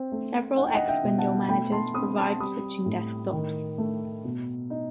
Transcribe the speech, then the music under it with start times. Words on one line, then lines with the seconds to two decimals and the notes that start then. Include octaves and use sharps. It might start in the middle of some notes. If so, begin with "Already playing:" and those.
Several X window managers provide switching desktops.
Already playing: C4 C5
0.12 A3
0.57 D#4 F#5
0.66 G5
0.75 D#5 F#5
0.88 E5 G5
1.04 B2
1.18 F#5 A5
1.49 A3 G5 B5
1.72 A5 C6
1.94 C4 B5 D#6
2.18 A5 C6
2.40 G3 B5 D#6
2.86 A2
3.33 D#3
3.78 A3
4.24 B2
4.70 D#4